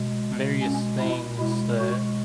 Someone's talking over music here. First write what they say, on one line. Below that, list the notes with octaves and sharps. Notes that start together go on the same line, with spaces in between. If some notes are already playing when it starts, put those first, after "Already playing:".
various things that
Already playing: B2 G#3
C#4
E4
B2 G#3 E4
F#4